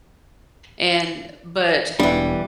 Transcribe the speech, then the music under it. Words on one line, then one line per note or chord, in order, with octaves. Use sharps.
and but
E1 E3 G3 B3 D4